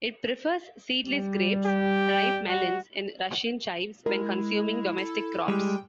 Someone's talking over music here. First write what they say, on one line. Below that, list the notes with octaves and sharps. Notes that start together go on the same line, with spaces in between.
It prefers seedless grapes, ripe melons and Russian chives when consuming domestic crops.
G3
G4
F#4
G#3 E4 A#4
A4
G3 G#3 G5